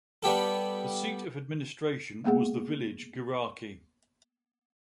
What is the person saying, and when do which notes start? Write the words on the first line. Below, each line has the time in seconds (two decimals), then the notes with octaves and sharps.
The seat of administration was the village Geraki.
0.23 G3 B3 G4 A4
2.24 G#3 A#3 B3 G#4 F#5